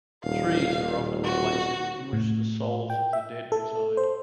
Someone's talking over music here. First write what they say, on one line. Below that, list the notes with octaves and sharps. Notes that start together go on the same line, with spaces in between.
Trees are often the places in which the souls of the dead reside.
D#1 F5
F#4
A2
G5
E5
A4
C5